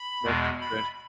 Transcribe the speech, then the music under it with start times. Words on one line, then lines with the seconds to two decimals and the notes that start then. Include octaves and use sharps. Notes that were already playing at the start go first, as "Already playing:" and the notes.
That's good.
Already playing: B5
0.23 E2 B2 G#3
0.61 B5